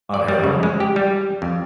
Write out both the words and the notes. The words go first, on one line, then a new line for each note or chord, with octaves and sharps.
on her own.
D5
G3
C#3
G#3
G4
G3
F2